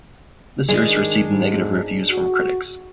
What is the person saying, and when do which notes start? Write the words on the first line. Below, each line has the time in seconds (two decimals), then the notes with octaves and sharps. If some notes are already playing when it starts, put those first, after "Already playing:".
The series received negative reviews from critics.
0.69 D#3 G#3 D4 G#4
1.28 G#2
2.10 F#4